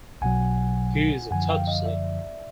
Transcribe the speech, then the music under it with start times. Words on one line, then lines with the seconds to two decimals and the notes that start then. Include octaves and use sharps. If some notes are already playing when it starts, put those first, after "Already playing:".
He is a Tutsi.
0.22 B1 B2 F#3 F#5 G#5
1.31 F#2 D3 F3 F#5 G#5
1.50 F5 G5
1.67 D#5 F5
1.86 D5 E5